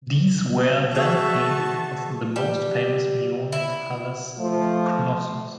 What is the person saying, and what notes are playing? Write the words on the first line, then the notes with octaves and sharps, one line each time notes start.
These were then painted as in the most famous Minoan palace of Knossos.
E3 F#4 G#4 A4 E5 A5 C#6
G3
E4
F3 A3